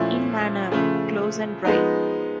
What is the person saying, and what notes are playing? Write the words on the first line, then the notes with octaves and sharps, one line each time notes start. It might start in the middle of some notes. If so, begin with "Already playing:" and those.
In manner: close and dry.
Already playing: A#2 F3 A3 C#4 E4
C#3 F3 A3
F3 G#3 B3 D#4